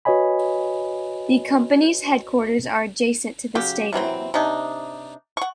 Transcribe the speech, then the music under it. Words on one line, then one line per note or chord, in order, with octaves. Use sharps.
The company's headquarters are adjacent to the stadium.
F#4 B4 C#5 D#5 G#5 B5
C#3 F#3 G4
C3 E3 F#3 C4
C3 D4 D#4
F#5 C#6